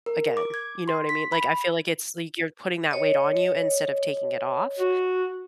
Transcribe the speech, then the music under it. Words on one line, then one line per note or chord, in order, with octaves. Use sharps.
again; you know what I mean? Like, I feel like it's like, you're putting that weight on you instead of taking it off,
A#4
D6
G#6
C6
B6
B5
C#5 D#5
F#4